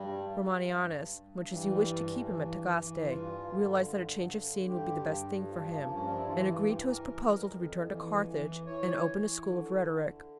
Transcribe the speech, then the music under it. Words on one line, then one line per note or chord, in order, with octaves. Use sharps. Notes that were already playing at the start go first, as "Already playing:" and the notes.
Romanianus, much as he wished to keep him at Tagaste, realized that a change of scene would be the best thing for him, and agreed to his proposal to return to Carthage and open a school of rhetoric.
Already playing: G2 G3
G2
G2
G2
E3 G3
G2
E3
E3
G2 F4
D3
G2
D3
G2 G4
G2
F3
A#3
G2
C#4
D4
E4
E3 F4
E4
E3 G4
A#4
F2
F2
E3
E3
E3 C#5
E3
D3
D3